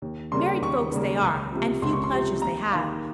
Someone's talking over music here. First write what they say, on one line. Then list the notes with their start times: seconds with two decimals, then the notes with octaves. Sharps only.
Married folks they are; and few pleasures they have.
0.02 D#2
0.32 C#3 G3 A#3 C6
0.62 D#2 C#6
0.92 C#3 G3 A#3
1.22 C#2
1.52 C3 F3
1.82 C#2 C6
1.93 C#6
2.04 C6
2.12 C3 F3
2.42 D#2 A#5
2.72 D#3 A#3 F5